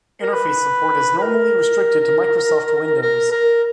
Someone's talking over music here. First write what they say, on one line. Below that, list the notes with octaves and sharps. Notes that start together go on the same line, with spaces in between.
Interface support is normally restricted to Microsoft Windows.
A#4
B4
B4
A#4
A#4
A#4